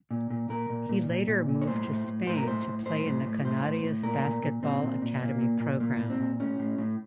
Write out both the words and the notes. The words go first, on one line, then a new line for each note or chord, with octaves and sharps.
He later moved to Spain to play in the Canarias Basketball Academy program.
A#2
A#2
A#2 A#4
A#2
A#2
A#2
A#2
A#2
C#5
A2 C5
A2
A2
A2 C5
A#4
A2 C5
A2
A2 C5
A2
A2
A2 C5
A2
A2
A#2 A#4
A#2
A#2
A#2 C4
A#2
A#2
A#2 A#3
A#2
A#2
A#2 A#3
A#2
C4
A#2
A2 C#4
A2
A2